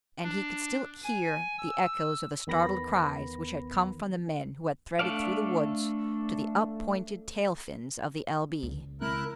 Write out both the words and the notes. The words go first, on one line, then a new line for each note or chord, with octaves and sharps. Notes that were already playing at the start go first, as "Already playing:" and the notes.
And he could still hear the echoes of the startled cries which had come from the men who had threaded through the woods to the up-pointed tail fins of the L-B.
D4
G#5
E6
E2 D#3 B3 B5 A#6
A3 D4 A4 D5 F5
C#2
C#3 G#3 C4 E4 A#4 F#6